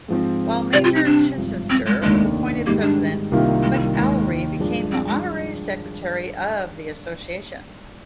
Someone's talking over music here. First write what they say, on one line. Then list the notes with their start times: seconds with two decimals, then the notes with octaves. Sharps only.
While Major Chichester was appointed president, McAlery became the honorary secretary of the association.
0.08 G#2 F3 C4
0.73 C3 G3 C4 D5
0.84 F4
0.95 D#4
1.05 D4
1.37 G#1 G2 F3
1.70 C4
1.86 G#3
2.02 F1 D#2 D#3 G#3 A#3 D4
2.66 G#2 D#3 G3 A#3
2.82 D4
3.31 C2 C3 D#3 A#3 F4
3.63 G#3
3.74 G#3
3.79 G3
3.95 D#2 D#3 G#3 A#3
4.60 G2 F3 G#3 D4
4.92 C4
5.08 G#3